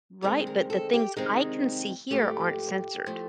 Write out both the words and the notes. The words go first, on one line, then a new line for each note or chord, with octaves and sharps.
right, but the things I can see here aren't censored.
D2 C3 D#3 G#3 C4 A#4
A#4
A4
G4
D2 C3 D#3 G#3 C4 D#4
G#2 F3 A3 G4
F3 A3